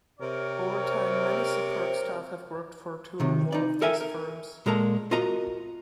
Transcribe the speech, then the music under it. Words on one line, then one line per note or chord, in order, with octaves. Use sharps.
Over time many support staff have worked for two or more of these firms.
C3 A#4 C#5
C3 D#3
D#4 D5
A4 A#4 E5 G5 G#5
A#4
A#2 G#3 A4 A#4 A5 A#5
F4 F#4 A#4 D#5 A#5